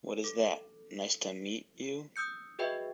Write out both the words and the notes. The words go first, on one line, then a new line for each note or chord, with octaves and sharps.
What is that, nice to "meat" you?
A4
D#6 E6 G6 C#7
F#4 G#4 B4 D#5 E5 G5